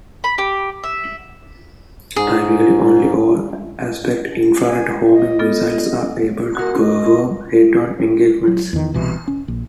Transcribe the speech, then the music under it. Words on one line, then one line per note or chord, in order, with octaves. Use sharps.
Typically only all-aspect infra-red homing missiles are able to perform head-on engagements.
B5
G4
E5
G#2 G#4
G#5
D#5
B3 F4 A4
F#4 A#4 F#5
D#5
F#3
E2 D#3
C2 B2 E3
C#4
A#1